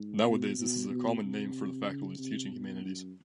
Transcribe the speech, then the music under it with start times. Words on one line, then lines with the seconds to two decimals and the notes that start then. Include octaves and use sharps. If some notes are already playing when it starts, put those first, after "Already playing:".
Nowadays this is a common name for the faculties teaching humanities.
Already playing: G#2
0.26 B2
0.58 B2
0.90 B2
1.22 C3
1.87 C#3
2.18 C3
2.51 B2
2.83 F#2